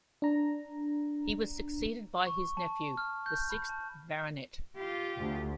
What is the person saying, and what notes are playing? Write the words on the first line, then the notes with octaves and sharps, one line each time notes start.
He was succeeded by his nephew, the sixth Baronet.
D4 A#5
C#6
A5
F6
G6
B5
A5
F4 G4
D2